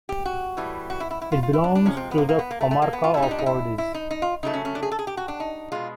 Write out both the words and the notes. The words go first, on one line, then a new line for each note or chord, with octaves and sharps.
It belongs to the comarca of Ordes.
G4
F#4
A2 E3 G3
F#4
E4
E4
E4
F4
F4
E4
D4
D4
C3 F3 G#3 C#4
C4
B3
A#3
A#3
B3
A#3
A3
A3
A#3
B3
F4
A#2 G3 E4
D#4
D4
D#4
E4
E4
D#4
D#4
F4
C#3 F#3 A3 D#4
C#4
C#4
D4
G#4
A4
G#4
G4
F#4
D4
D#4
B2 G#3 F4